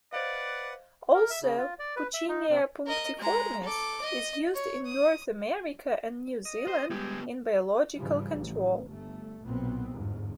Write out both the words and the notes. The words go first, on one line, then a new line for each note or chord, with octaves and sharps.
Also "Puccinia punctiformis" is used in North America and New Zealand in biological control.
B4 C5 D5 D#5 F5 F#5
A#4
E5
C#3
F4
D5
B4
E5
D#4
C3
A#4 D#5
G#3 A#5
A4 D6
D#5
C#5
D#6
D#5
C5
G3 G#3 B3 G4
G#2 C#3 E3 F3 G3
A1
G1 A3
B1 A#2 B3 C4
G1 E2 G#2